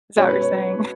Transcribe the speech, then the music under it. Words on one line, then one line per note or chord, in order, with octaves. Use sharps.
Is that what you're saying?
B2 G#3 C#4 C#5
B4
C#5